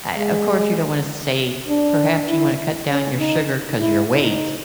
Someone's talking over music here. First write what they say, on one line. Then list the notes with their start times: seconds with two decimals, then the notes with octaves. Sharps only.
uh, of course you don't wanna say, "Perhaps you wanna cut down your sugar 'cause your weight."
0.16 G#3
1.68 D4
2.29 E4
2.90 C#4
3.20 D#4
3.80 E4
4.11 D#4